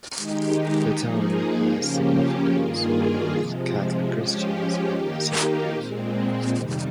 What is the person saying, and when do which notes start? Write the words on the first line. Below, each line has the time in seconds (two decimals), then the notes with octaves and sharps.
The town has significance for both Catholic Christians and Hasidic Jews.
0.15 D#3 G#3 D#4 G4
0.96 F3 A#3 D#4 G#4
1.76 C#3 F3 A#3 C#4 G4
2.55 G2 D#3 A#3 F4 G#4
3.35 C3 F3 G#3
4.14 F3 G#3 C#4 G4
4.94 D#3 A#3 D#4 G4
5.74 A#2 G#3 C4
6.54 F2 C3 D#3 G3